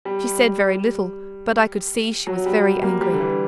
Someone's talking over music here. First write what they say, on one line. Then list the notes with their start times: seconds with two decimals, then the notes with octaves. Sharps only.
She said very little, but I could see she was very angry.
0.05 G3
2.27 F#3
2.46 G3
2.83 A#3
3.01 G3
3.13 D3
3.20 E3